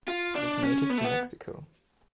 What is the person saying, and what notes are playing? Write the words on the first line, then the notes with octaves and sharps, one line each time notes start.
It is native to Mexico.
F4
D4
C#4
B3
A3
B3